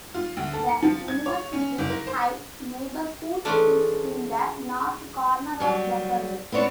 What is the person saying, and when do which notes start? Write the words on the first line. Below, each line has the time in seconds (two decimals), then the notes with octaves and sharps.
The University Heights neighborhood is in the north corner of Buffalo.
0.14 F4
0.37 D2
0.53 A4
0.69 C#7
0.83 F3
1.08 G#6
1.26 C#5
1.53 C#4
1.78 F#1
1.90 A#4
2.07 C5
3.45 E3 G#3 A3 C#4 D4
5.60 F#3 G3
6.52 B3 C4 D4 C#5